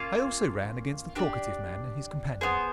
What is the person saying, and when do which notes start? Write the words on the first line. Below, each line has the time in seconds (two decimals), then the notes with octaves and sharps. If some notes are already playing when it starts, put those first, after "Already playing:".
I also ran against the talkative man and his companion.
Already playing: A#3 C#4 F4
1.15 D4 G4 B4 D5
2.41 B3 D#4 G#4 C5